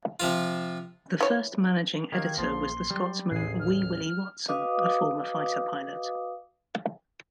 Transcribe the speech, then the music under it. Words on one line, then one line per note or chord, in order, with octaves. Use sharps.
The first Managing Editor was the Scotsman "Wee Willie Watson", a former fighter pilot.
C3 F3 F4
E3 C#5
D#3 G4 F5 G#6
A#1 F3 A#3 C#4 C6
F#3 G3
D#1 A1 D2 A2 G#4 C7
F6
F#4 B4 D#5 F5 D6 D#6